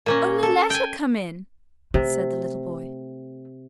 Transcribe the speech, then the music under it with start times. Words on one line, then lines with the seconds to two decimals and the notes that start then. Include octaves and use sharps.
"Only let her come in!" said the little boy.
0.06 A#2 A#3 C#4
0.43 A4
0.70 G5 G#5
1.94 C3 A3